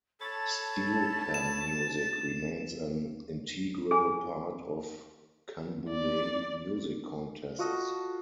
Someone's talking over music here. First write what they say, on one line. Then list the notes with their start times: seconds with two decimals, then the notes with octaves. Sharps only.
Steel pan music remains an integral part of Canboulay music contests.
0.21 A4 C#5 A5 B5 A6
1.34 E7
3.91 G#4 G#5
5.90 D5
7.59 F4 F#4 A4 D#5